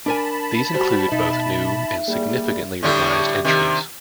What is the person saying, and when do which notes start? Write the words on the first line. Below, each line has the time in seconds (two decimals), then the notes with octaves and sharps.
These include both new and significantly revised entries.
0.06 D4 A#4 G#5 A5 B5
0.74 G3 F#4 C5
1.12 B2 D#4 E5
2.08 G3 A#3 G#4
2.83 A2 D3 G3
3.45 C3 D#3